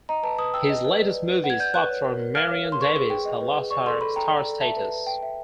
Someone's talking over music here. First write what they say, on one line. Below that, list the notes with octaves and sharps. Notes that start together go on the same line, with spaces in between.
His latest movies flopped for Marion Davies had lost her star status.
D#5 A#5
B4 A5
B4 D#6
G5 E6
D#5
B4
D5
B4
B4
F#5
G#6
D5 G6
B4 F#6
C#5
A#4
A#4
F5 F6
C#5
A#4
C6
B4 C#6
G#4
G5
D#5
B4
G#4
D5 C#6
A4 C6
A4 B5
G5 A#5
D5
A4
E5 A5
B4
B4
G5
E5